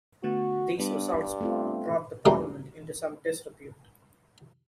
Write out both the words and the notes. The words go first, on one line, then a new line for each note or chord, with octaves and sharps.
These results brought the parliament into some disrepute.
D3 A3 B3 F#4
G2 G3 B3 D4
A3 C4 F4
C#3 F#3 G3 A3 A#3